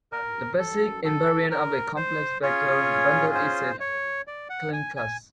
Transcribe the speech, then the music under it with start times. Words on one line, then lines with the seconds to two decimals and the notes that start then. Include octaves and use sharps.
The basic invariant of a complex vector bundle is a Chern class.
0.12 A#4
0.59 A4
1.04 A4
1.51 A#4
1.97 C5
2.42 C#4 F4 G#4 C#5
3.35 C5
3.80 C#5
4.27 D5
4.49 F#5
4.73 G#5
4.96 G#5